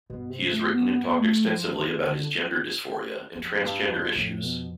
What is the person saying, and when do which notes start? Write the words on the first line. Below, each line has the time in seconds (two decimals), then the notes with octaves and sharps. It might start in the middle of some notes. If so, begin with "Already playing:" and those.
He has written and talked extensively about his gender dysphoria and transgender issues.
0.10 G2 B2
0.30 C3
0.51 A3
0.71 B3
0.90 B3
1.18 A3
1.45 F3
1.73 E3
2.00 D3
3.35 F2
3.61 G2
3.88 F2
4.15 F2 A2
4.43 B2